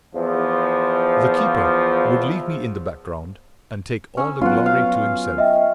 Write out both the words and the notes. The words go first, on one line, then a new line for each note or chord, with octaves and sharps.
The keeper would leave me in the background, and take all the glory to himself.
E2 F3
C#4 E6
F#3 B3 C#4 F4 F#5
F5
D#5 E5 G5